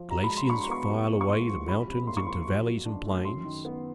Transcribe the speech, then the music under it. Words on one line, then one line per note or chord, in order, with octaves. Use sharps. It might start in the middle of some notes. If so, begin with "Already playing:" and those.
The glaciers file away the mountains into valleys and plains.
Already playing: F3
B2 A#5
B5
G#3
C6
D4 C#6
C6
B3 C#6
C2
A#2
C#6
G#3 C6
F3
C#2 B5
C3
A#3 C6
C#6
F3 C6
B2
F#3
D4
A3
F#2 C6
D#3
B3